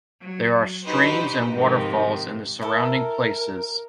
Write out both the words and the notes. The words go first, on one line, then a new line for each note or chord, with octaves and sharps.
There are streams and waterfalls in the surrounding places.
F#3
D4 D#4 F#4 G4 B4 C5
G#2 C3 D#3 F3
E4 A4 A#4